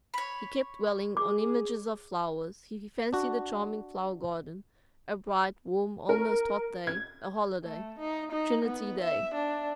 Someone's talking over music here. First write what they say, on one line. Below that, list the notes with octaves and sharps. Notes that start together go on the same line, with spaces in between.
He kept dwelling on images of flowers, he fancied a charming flower garden, a bright, warm, almost hot day, a holiday--Trinity day.
C#5 B5
G#4 D6
D4 F#4
A#4
G#6
A3
D#4
D#4
B3
E5
D4